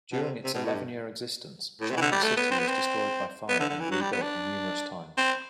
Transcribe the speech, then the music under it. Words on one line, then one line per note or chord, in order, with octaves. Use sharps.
During its eleven-year existence, China City was destroyed by fire and rebuilt numerous times.
B2
C3
C3
B2
A2
G2
A2
C3
E3
D3
G3
A3
B3
C4
B3
C4
B3
D3
D3
E3
F#3
G3
B3
D4
C4